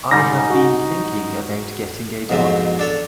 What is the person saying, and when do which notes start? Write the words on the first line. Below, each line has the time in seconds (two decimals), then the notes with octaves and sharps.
I have been thinking about getting a dog.
0.11 G#2 G3 D#4 A#6
0.50 F#4
2.29 F2 G#2 B2 F#3
2.79 D4 A4 C#5